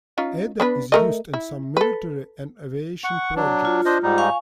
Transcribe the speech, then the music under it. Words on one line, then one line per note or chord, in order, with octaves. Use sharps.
Ada is used in some military and aviation projects.
C#4 D#4 F4
B3 D4 B4
A3 A#4 D#5
E4
A4 B4
F#5 C#6
F#3 D4
F4
D4 C5 D#5
G#2 G3 D#4
F5 G#5 C#6